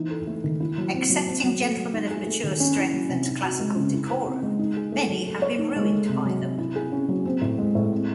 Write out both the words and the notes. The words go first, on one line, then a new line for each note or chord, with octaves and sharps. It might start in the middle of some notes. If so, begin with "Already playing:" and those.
Excepting gentlemen of mature strength and classical decorum, many have been ruined by them.
Already playing: E3 D#4
A4
A3
D#3
E4
F#3
C4
F#3
C4
F#3
A3
F#3
D#4
G#4
A3
D#3
C#4
E4
F#3
C3
D#4
F#4
G#3
C#3
E4
C5
C4
G#3
D#4
G#4
A3
F#3
A4
C#5
D#4
G#3
A3
C3
F#3
C3
E4
G#4
C#4
F#3
C4
A2
G#3
A2
C4